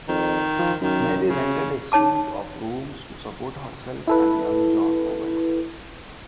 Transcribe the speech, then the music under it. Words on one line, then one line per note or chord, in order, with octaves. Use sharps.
Mary rented a suite of rooms to support herself and young John Owen.
F2 D#3
F3
F#2 D#3
C#3
D#4 C#5 A5 D6
E4 A4 B4